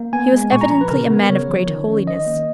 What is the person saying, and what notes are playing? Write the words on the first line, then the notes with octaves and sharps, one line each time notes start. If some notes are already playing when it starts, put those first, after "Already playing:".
He was evidently a man of great holiness.
Already playing: A#3
B3 G#5
G#3
A#2 C#6
A#5
F3 A#5
B4
C#3 A#4
B3
C#3 C#5
F3
D#3
C#4
D#3 D#5
A#3